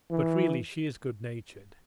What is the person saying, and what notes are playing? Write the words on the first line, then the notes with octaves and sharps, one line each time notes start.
But really she is good-natured.
E3